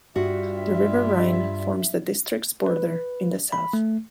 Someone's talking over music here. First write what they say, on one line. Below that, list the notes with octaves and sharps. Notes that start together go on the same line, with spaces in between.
The river Rhine forms the district's border in the south.
G2 G3 F4 F#4 E5
B4
B5
A3